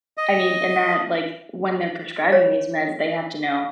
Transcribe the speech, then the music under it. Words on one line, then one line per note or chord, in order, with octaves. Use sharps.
I mean, and that like, when they're prescribing these meds, they have to know,
D#5
C#5